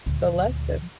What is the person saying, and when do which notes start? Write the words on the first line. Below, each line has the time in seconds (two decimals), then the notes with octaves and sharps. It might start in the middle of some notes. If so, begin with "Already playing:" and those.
the lesson.
0.06 D2 A#2